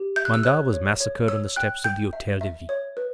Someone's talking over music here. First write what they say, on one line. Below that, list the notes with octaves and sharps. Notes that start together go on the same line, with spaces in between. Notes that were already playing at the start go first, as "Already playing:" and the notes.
Mandat was massacred on the steps of the Hotel-de-Ville.
Already playing: G4
E5 G6
F#6
E6
C#5 F#6
C#5
C#5
C#5 E6
G5 F#6
G5 G6
E5
E5
C#5
B4